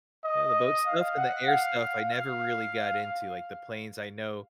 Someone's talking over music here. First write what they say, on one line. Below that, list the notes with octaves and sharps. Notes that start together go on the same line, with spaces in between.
Yeah, the boat stuff and the air stuff, I never really got into. Like, the planes, I know
D#5
F5
F#5
F5
F5